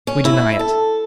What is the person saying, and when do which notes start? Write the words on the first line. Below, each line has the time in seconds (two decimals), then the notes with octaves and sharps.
We deny it.
0.07 C#4
0.25 E4
0.59 A4